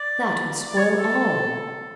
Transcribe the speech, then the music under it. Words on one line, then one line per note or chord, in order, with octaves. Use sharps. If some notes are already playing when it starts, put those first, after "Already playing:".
'That would spoil all.
Already playing: D5
D5
C#5
A4